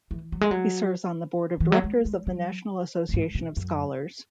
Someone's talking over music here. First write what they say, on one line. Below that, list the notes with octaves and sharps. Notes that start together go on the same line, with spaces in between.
He serves on the board of directors of the National Association of Scholars.
E3
F#3
G#3
F#3
E3
F#3
G#3
G#3
F#3
A#2
G#2
B2
F#2